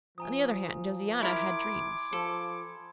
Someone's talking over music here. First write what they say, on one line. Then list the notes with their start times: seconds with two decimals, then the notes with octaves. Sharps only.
On the other hand, Josiana had dreams.
0.18 F3 G#5 A#5 D#6
1.23 E4 A#4 B5 C6 D6 G#6
2.13 F3 A4